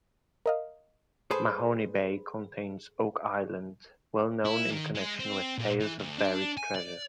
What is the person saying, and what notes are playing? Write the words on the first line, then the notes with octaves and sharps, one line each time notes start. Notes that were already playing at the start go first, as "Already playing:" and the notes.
Mahone Bay contains Oak Island, well known in connection with tales of buried treasure.
A#4 D#5 F5
G#4 A4 B4 C5
E4
D#3
G#3
C4
A#2
E3
D2
D4
G#5
D5